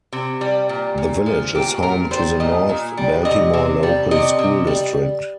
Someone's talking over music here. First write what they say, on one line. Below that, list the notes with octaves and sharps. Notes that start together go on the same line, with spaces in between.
The village is home to the North Baltimore Local School District.
C3
G3
A#2
A#2
F3
A#2 G4
A#2 A#4
G3 C5
A#2 D#5
A#2
G3
C3 D#5
C3
G3
C3 D#5
C3
G3